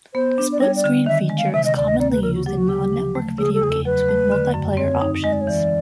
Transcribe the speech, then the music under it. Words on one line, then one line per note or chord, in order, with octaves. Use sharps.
The split screen feature is commonly used in non-networked video games with multiplayer options.
B3 C5
D4
D5
G3 C#5
D5
D3
D#3 E5
G#3
F5
C3 E5
D#5
D2 D5
D#5
A#3 D5
B4
C#3 A#4
F#4
F#3 G4
F#4
C#3 G4
F3
A3
C#3 G#4
A4
E2 G#4
A4
F#3 B4
A3
D3
F#2
C4 C#5
D#4
G#3 D#5
D5
C#5
E3 D5